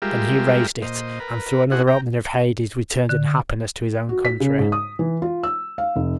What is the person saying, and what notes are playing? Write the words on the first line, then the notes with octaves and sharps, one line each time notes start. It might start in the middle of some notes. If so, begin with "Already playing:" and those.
Then he raised it, and through another opening of Hades returned in happiness to his own country.
G3 G#3 F4 G4 A#4 E5
A#2 C5 D#5
A#4 B4
C4 E4 F#4 G#4 F#5
G5 A#5
D3
F#4
B6
C#3
G#2
D#6
E3
F4
E6
F5
F1